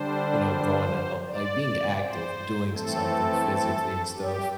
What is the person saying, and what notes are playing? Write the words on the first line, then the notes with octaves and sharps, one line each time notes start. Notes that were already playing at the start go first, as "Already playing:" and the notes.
you know, going out, like, being active, doing something physically and stuff,
Already playing: D3 G3 D4 C5
D5
C5
E3 A3 C4 A4
G4